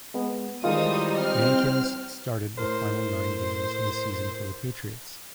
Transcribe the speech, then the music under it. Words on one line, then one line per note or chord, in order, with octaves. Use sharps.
Mankins started the final nine games of the season for the Patriots.
G#3 B3
D#3 E3 G3 G#3 D#4 F4 C5 D#6
C4 F6
A2 A#4 C5